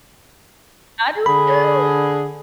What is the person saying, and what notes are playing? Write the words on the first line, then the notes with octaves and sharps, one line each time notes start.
I do too!
D3 G#4 B5